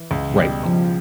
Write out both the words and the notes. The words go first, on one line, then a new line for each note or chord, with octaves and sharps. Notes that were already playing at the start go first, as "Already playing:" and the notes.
Right th
Already playing: E3
C#2
B2 G3
C#2 F3